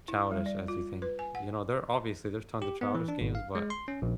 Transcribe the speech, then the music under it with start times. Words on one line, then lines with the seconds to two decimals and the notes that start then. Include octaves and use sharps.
childish as you think. You know, there obviously, there's tons of childish games, but,
0.08 E4
0.31 G3
0.46 D5
0.68 F4
1.02 B4
1.19 G#5
1.35 F#5
2.62 G4
2.81 B3
2.95 E3
3.08 D4
3.21 G#1
3.35 F5
3.55 G#3
3.70 C6
3.88 C#4
4.02 A#1